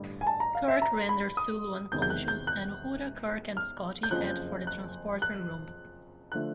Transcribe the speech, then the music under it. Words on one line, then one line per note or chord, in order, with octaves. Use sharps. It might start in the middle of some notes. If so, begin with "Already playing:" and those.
Kirk renders Sulu unconscious, and Uhura, Kirk, and Scotty head for the transporter room.
Already playing: A1 G2 D3 G3
G#5
A5
A#5
F5
E5
A#5
B5
D#6
E1 E2 C3 D#3 G#3 G6
G6
F#6
G6
F#6
F6
G6
F#1 F2 C#3 F3 F#6
F#6
F#6
D3 F3 A3 F#6